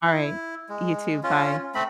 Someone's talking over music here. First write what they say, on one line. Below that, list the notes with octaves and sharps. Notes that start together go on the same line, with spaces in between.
Alright, you too, bye.
E4
G#3
C#4 F4
A3 C4 B5